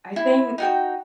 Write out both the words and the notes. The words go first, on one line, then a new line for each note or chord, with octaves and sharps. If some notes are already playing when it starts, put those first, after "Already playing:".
I think
E4
D#4 F#4 G5